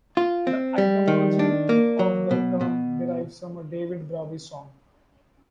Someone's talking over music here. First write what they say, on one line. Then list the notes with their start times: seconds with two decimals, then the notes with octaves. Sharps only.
The etymology of the term derives from a David Bowie song.
0.17 F4
0.47 C4
0.78 G3
1.08 D#3
1.39 D4
1.69 A#3
1.99 F#3
2.31 B2
2.61 B2